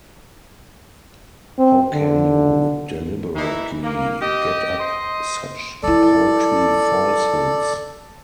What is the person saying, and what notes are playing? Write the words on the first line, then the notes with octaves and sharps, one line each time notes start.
How can you deliberately get up such paltry falsehoods?
C4
D3
E3 D#4 E4
A#3
G4 D#5
C5 D#5
F#3 E4 A4 D5